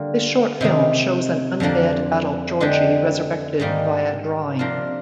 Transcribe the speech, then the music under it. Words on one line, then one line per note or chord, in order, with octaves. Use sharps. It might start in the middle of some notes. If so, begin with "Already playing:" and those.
This short film shows an undead adult Georgie resurrected via drawing.
Already playing: D3 G3 A#3 F4
C3 D#3 G#3 D#4
F2 D3 F3 A#3 D4
D3 G#3 D4 G4
G#2 D#3 G3 A#3
C3 F3 A#3 D4 F4